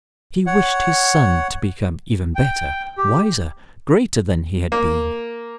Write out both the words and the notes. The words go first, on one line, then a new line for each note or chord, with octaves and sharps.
But he wished his son to become even better, wiser, greater than he had been.
C#5 F#5
G5
G4
A#3